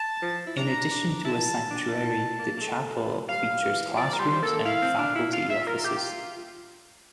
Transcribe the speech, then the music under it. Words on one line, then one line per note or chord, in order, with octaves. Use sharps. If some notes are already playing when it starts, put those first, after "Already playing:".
In addition to a sanctuary, the chapel features classrooms and faculty offices.
Already playing: A5
F3
E4
D4 A#5
D4
E4 A5
F4
D4
E4
A#3
A#3
A3
G3 F5
E3
F3 D5
A#4
G3 C5
A#3 A4
E4 F5
C4
D4
E4
F4 F5
E5
A#4
G4